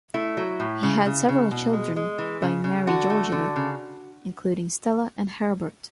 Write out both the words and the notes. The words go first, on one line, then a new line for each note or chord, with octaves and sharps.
He had several children by Mary Georgina including Stella and Herbert.
A3 E4
F#3
A2
C#3
C#3
C#3
B2
G#3
G#3
E3
C#3
C#3
D3 F#4
A3
D3
C#3